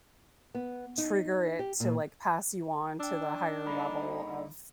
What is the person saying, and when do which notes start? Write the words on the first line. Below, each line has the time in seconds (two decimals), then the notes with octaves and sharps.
trigger it to, like, pass you on to the higher level of,
0.55 B3
0.98 D#4
1.59 G4
1.80 A#2
3.00 D4 G5 E6
3.66 G2 A#3 D#4 A4 A#5 B5